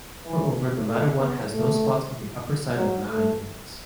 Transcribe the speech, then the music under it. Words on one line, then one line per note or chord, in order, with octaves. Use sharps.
Moreover the latter one has no spots on the upperside of the hindwings.
E3
A3
B3
A3
F#3
A3